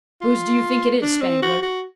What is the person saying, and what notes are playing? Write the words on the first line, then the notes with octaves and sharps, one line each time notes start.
"Whose do you think it is, Spangler?"
F4
D4
C4
F#4
F#4